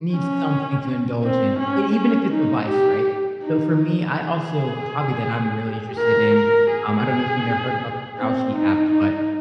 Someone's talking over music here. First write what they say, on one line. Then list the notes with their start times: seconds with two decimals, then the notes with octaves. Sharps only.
need something to indulge in, e even if it's a vice, right? So for me, I also a hobby that I'm really interested in, um, I don't know if you know, heard about the Kalshi app, but
0.13 C#4
1.23 C4
1.59 C#4
1.95 C#4
2.33 D#4
2.69 G4
3.43 D#4
4.16 G#4
5.98 A#4
6.35 A#4
6.72 G#4
8.18 C4
8.55 D#4
8.91 D#4